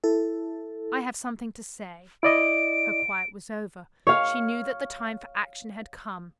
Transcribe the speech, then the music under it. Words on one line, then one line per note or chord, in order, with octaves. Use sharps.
"I have something to say." Her quiet was over; she knew that the time for action had come.
E4 A4
E4 D5 D#5 D7
C#5 F5